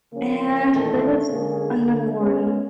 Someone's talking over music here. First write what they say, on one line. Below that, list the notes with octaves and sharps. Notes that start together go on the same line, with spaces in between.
And there was another one
C#3 F3 A#3 C4 C#4
A1 E2 A#2 D#3 A3 E4
D3 G#3 A#3 C#4 G#4
D3
G#3 A#3 B3 C#4